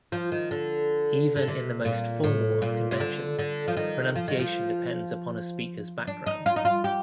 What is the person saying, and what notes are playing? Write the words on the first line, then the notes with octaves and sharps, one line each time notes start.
Even in the most formal of conventions, pronunciation depends upon a speaker's background.
F3
D#3
D3
D3
C3
A#2
A2
A#2
C3
D3
D3
F3
D#3
F3
D#3
F3
D4
D#4
F4
D#4
F4
G4